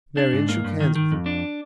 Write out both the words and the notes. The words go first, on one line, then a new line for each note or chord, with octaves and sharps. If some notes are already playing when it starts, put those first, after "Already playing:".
Marian shook hands with him.
D4
G#2
A#3
G2
D#3
D#3
F2
D4